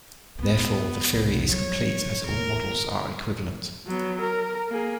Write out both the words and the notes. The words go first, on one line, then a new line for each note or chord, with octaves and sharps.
Therefore, the theory is complete as all models are equivalent.
D2 B3
C2 B2
F3 F#3 C#5
E2 D3 A#4
F#3 B3
A#4
A#3 G#4